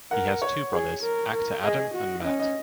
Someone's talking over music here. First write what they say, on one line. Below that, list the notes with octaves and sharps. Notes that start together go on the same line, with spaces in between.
He has two brothers, actor Adam and Matt.
A#4 F#5
C#5
G#4
A#4
A#4
G#4 D#5
F#4
C#4 D#5
D#5